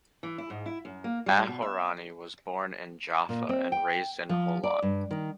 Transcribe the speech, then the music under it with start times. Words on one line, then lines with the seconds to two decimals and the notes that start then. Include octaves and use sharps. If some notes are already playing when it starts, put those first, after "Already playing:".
Aharoni was born in Jaffa and raised in Holon.
0.23 E3
0.38 E4
0.50 G#2
0.66 E4
0.85 F#2
1.04 A#3
1.26 G3
1.48 B2
1.62 E5
3.29 A#2
3.49 C4
3.72 G5
4.29 F3
4.63 D5
4.82 G2
5.11 D#3